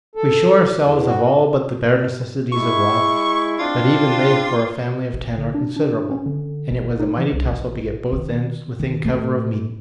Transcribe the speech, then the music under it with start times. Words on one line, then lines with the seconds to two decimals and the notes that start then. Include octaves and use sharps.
We shore ourselves of all but the bare necessaries of life, but even they for a family of ten are considerable, and it was a mighty tussle to get both ends within cover of meeting.
0.15 A4
0.81 E2
1.06 F#4
2.52 G#3 E4 C#6
3.59 C4 D4 F4
5.13 A1
5.38 D3
5.54 D4
5.76 D4
6.11 C#4
6.26 D3
6.71 A1
7.00 D#4
7.18 E3
7.33 C2
7.51 A1
8.12 D#3
8.79 D#3
9.04 A2